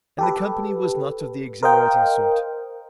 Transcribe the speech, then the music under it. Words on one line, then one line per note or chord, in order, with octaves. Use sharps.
And the company was not of the exhilarating sort.
G4 A4 B4
A#4 C5 D#5 F5 G5